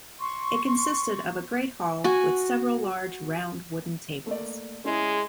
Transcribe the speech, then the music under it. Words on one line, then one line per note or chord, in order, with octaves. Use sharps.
It consisted of a great hall with several large round wooden tables.
C6 C#6
F#4 G#5
A3 A#3 D5
G#3 C#4 E4 G#4